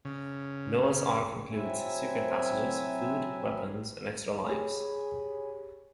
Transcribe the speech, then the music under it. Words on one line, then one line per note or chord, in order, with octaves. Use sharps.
"Noah's Ark" includes secret passages, food, weapons and extra lives.
C#3
C3 F#3 C4 E4 E5 G#5
G4 G#4 C#5 G#5 B5